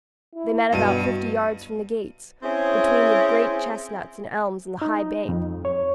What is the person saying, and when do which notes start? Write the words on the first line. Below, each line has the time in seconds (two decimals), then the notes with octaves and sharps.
They met about fifty yards from the gates, between the great chestnuts and elms and the high bank.
0.35 E4
0.72 G2 B2 D#7
2.42 C4 C#4 E4 G#4
4.82 D#4
5.29 F2
5.65 C#5